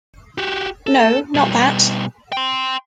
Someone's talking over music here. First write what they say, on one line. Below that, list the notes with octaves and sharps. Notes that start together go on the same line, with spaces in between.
No, not that!
F#4 G4
A4
B2 G3
G5 C6